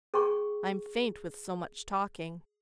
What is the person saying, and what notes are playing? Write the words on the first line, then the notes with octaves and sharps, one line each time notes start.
I'm faint with so much talking.
G#4 G5 C#6